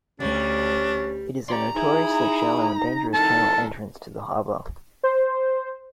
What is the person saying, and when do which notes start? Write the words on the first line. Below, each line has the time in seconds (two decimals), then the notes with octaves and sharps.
It is a notoriously shallow and dangerous channel entrance to the harbour.
0.20 D2 G3 C#4 D4
1.49 C#4 G4 D5 A#5 C6
1.74 D#4 E4 G#4
3.14 D#3 C4 E4 A4 A5
5.03 C5